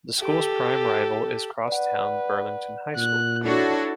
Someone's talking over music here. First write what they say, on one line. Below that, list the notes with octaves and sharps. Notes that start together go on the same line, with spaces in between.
The school's prime rival is cross-town Burlington High School.
G4 A4
B4 D5 F#5
A#2 F#6
D4 E4 F#4 A4 C#5